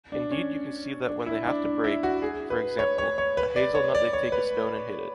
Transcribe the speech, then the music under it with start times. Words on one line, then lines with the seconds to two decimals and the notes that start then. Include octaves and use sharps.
Indeed you can see that when they have to break, for example, a hazelnut they take a stone and hit it.
0.12 D4
0.31 C#4
1.07 D4
1.26 E4
1.45 D4
1.64 D4
1.84 E4
2.03 F#4
2.22 G#4
2.50 B4
2.79 C#5
2.98 C#5
3.18 C#5
3.37 B4
3.56 D5
3.75 C#5
3.95 D5
4.13 C#5
4.32 B4